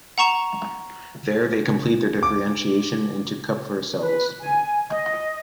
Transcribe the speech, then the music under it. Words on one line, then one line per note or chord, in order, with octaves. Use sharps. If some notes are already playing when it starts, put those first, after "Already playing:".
There they complete their differentiation into Kupffer cells.
F#5 A#5 C#6 E7 F7
D6
B4
G#5
D#5